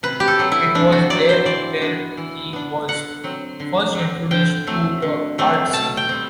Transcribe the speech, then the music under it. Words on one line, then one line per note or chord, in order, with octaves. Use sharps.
It was there where he was first introduced to the art scene.
C3 B4
G4
A4
F#3 C4
E4
C3 D4
F#4
F#3 C4 D5
C5
E3 D5
B3 D4
E3
B3 D4
D3 F#5
F#3 C4
D3
F#3 C4
D3 G5
F#3 A3 C4
D3
F#3 A3 C4
B2 A5
G5
G3 C4